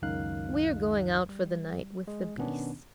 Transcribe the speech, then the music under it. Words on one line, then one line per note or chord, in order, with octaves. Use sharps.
"We are going out for the night with the beasts."
C#2 F#2 D#3 D#4 F5 F#6
G3
G#3
B2 D#3 B3 C#4 D4